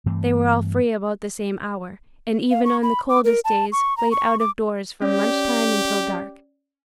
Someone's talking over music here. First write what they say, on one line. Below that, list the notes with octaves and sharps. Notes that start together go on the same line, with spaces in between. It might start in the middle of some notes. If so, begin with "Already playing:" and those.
They were all free about the same hour, and even on the coldest days played out-of-doors from lunch-time until dark.
G2 E3 A3 C4
F5
C#6
B5
D6
A#4
A5
C#6
A#5
C#6
D6
C#4 G4 D5